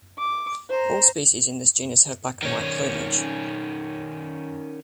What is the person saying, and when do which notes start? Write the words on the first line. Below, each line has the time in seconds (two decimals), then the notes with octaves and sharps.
All species in this genus have black and white plumage.
0.18 D6
0.70 C5 A#5
2.43 D#3 C#4